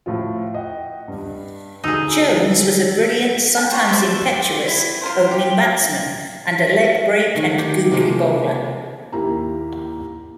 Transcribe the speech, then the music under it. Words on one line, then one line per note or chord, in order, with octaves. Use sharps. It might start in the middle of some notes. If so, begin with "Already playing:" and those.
Jones was a brilliant, sometimes impetuous, opening batsman and a leg-break and googly bowler.
A2 F3 F4
D#5 F#5 G5
G2
D2 D#4 F#4 G#4 E6
G5 A5
F4 C#5 D5 A#5
C5 D5 E5
E4
F4 A#4 C5
G4
D#3 A3
G4
C3 F3 G#3 A#3
D#2 A#3 E4 G4 A#5